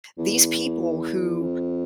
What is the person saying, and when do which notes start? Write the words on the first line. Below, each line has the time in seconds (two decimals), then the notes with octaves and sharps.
these people who
0.18 E2
1.42 F2